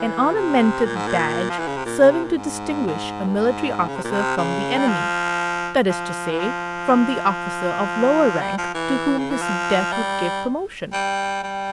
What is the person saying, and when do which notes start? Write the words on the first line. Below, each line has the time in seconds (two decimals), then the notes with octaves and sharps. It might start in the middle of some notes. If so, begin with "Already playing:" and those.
An ornamented badge, serving to distinguish a military officer from the enemy--that is to say, from the officer of lower rank to whom his death would give promotion.
Already playing: E3
0.34 C3
0.85 A#2
0.96 G#2
1.07 A#2
1.49 F3
1.59 E3
1.67 C#3
1.77 C3
1.85 A#2
1.99 C#3
2.11 C3
2.24 A#2
2.36 G#2
2.87 G#2
3.26 G2
3.36 G#2
3.88 C#3
3.96 C3
4.04 A#2
4.11 C3
4.37 C#3
4.78 G3
4.88 F3
5.89 F3
6.31 E3
6.39 F3
8.41 G3
8.57 F3
8.74 E3
9.18 C#3
9.30 E3
9.42 F3
9.92 G3
10.93 G3
11.43 G3